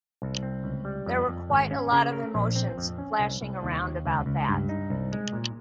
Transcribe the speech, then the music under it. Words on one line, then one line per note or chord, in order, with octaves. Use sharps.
There were quite a lot of emotions flashing around about that.
C2
C4
C#2
G3
F2
F2
G#1
C#4
C#3
A#4
A#1
C4
F2
C#4
C2
C2
D#2
D#2
C#2
C#2
G2
D#4
C2
G#3
A#2